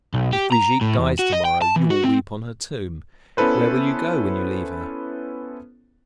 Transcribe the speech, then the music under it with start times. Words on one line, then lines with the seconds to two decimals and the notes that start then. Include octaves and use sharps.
If Brigitte dies to-morrow you will weep on her tomb; where will you go when you leave her?
0.14 B1
0.33 G4
0.52 A#5
0.81 A2
0.98 E2
1.19 F#4
1.32 D#5
1.45 G5
1.62 A5
1.76 E3
1.90 F#4
2.04 C4
3.37 B3 C#4 E4 A4 B4 C5